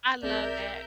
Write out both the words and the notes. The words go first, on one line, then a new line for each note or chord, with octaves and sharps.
I love that.
B1 C4 G#4 A#4 D5 E5 G6